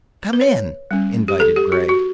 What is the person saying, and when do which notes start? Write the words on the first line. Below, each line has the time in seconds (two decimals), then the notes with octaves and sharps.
"Come in," invited Gregg.
0.33 B4
0.41 C#5
0.91 G3 C#4
1.28 G4
1.40 A4
1.56 G4
1.72 F#4
1.89 F#4